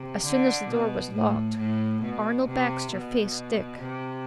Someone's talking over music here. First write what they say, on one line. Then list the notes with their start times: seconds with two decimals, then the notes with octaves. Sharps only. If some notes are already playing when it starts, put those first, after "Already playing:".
As soon as the door was locked Arnold Baxter faced Dick.
Already playing: C3
0.23 D3
0.69 B2
1.13 A2
1.57 A2
2.02 B2
2.48 C3
2.92 B2
3.82 C3